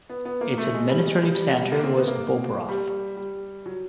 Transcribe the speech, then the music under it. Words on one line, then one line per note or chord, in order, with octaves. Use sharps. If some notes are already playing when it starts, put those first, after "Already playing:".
Its administrative centre was Bobrov.
B3
B3
A#3
A3
G#3
G3
G#3
G3
G3
G#3
G3
A#3
C4
B3
A#3
G3
G3
F#3